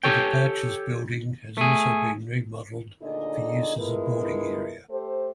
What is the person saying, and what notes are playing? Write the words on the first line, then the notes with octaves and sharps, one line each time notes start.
The departures building has also been remodelled for use as a boarding area.
G4 A4 C#5 G5
A3 G#4
D2 A#2 D3 D#4 G#4 D#5
G#3 A3 B3 E4 F4 A#4
A3 G4 A4 C5